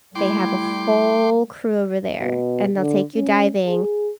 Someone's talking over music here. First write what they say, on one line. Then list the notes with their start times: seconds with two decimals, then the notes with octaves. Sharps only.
they have a whole crew over there, and they'll take you diving,
0.15 G3 A3 E4 G5 C6 D6
2.21 B2
2.76 D3
3.15 C#4
3.67 G#4